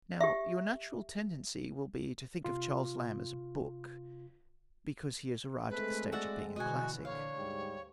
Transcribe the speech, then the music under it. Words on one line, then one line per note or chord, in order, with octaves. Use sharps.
Now, your natural tendency will be to think of Charles Lamb as a book, because he has arrived at the stage of being a classic.
G4 E5
C3 F4
G#3 A3 C4 B4
F#4 D5 E5 F#5
B2 D3 E3 F#4 D#5 G#5
A#1 D3 C#5 F5
D2 G#2 G3 G4